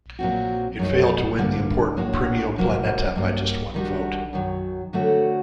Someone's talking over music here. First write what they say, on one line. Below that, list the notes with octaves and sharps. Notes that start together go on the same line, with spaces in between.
It failed to win the important Premio Planeta by just one vote.
A#2 F#3 C4 F#4
F#2 F#3 A3 D#4
G2 D3 G3 A#3
A2 F#3 A#3 D4 F#4
C3 F#3 A#3
G2 F#3 A#3
D#3 G3 D4 F#4
F#2 D#3 F#3
D3 F#3 A3 C4 F#4